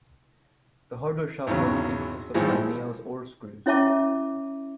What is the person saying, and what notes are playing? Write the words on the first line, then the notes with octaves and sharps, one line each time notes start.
The hardware shop wasn't able to supply nails or screws.
G#1 E2 C#3 F#3
G#1 A2 E3 F3 G3 G#3
C#4 E4 C#5 E5 A5 D6